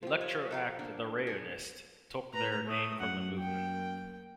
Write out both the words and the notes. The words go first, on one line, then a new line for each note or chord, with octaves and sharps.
Electro act "The Rayonists" took their name from the movement.
F3 G4
C#5
A4 A#4 F5
A#3 D4
G#4
A2 B4 A#5
A3 D#6
F#2 F#5
A#3 G5